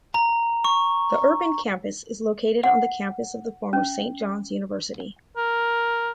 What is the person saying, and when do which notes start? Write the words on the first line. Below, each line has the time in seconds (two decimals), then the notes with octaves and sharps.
The urban campus is located on the campus of the former Saint John's University.
0.14 A#5
0.64 C#6
2.64 F#5
3.73 C#4
5.37 A#4